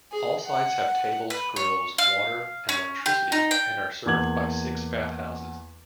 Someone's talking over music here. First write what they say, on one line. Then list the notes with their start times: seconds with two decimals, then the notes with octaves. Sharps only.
All sites have tables, grills, water, and electricity and are served by six bathhouses.
0.12 G#4
0.46 F#5
1.30 B4
1.56 C#5
1.98 F5
2.69 C#4
3.06 G4
3.32 D#4
3.51 G5
4.06 E2 A#3 D6 G#6 F#7